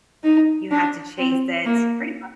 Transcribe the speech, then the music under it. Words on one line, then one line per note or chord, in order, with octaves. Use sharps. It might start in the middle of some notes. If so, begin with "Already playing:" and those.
you have to chase it pretty much
D#4
D4
C4
A#3